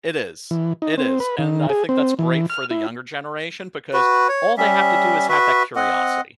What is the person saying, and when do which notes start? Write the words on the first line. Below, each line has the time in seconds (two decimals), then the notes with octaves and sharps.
It is It is and I think that's great for the younger generation because all they have to do is have that curiosity
0.51 E3
0.82 D#4
0.98 C4
1.20 B4
1.38 D#3
1.70 G#4
1.89 C4
2.19 E3
2.50 F6
2.71 E4
3.93 F#4 B4
4.29 C#5
4.58 G3 C#4 E5
5.29 F#4 B4 E5
5.76 C4 D#5 F#5